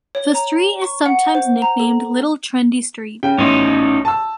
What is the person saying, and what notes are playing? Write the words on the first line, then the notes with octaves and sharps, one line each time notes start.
The street is sometimes nicknamed Little Trendy Street.
C#5
A#5
C#6
F#5
C5
A#5
A4
C#3 G5
A1 C#4 D#4 C6
A5 E6